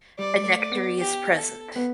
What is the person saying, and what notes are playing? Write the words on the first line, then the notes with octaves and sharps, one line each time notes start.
A nectary is present.
G3 D5
A3
D5
B3
G4
A4
B3